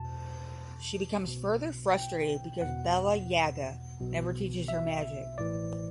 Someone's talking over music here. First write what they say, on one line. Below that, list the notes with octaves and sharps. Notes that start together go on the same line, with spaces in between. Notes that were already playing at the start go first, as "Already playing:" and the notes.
She becomes further frustrated because Bella Yaga never teaches her magic.
Already playing: E2 B2 A5
B1 B2
G5
E2 B2 F#5
B1 B2
E5
A1 A2 E3 D5